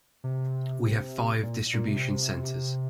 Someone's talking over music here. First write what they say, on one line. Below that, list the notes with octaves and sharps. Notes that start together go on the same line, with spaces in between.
We have five distribution centres.
C3
A#2
A#2
C3